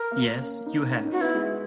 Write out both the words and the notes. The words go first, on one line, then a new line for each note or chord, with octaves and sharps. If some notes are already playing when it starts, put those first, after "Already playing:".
Yes, you have.
Already playing: A#4
A#3
C#4
D#4
C#4
D#4
C#4 F#4
B3 E4
G#3